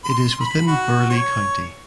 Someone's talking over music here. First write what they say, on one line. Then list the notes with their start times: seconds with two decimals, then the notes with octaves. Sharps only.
It is within Burleigh County.
0.04 C6
0.40 B5
0.67 F#4
1.10 C#5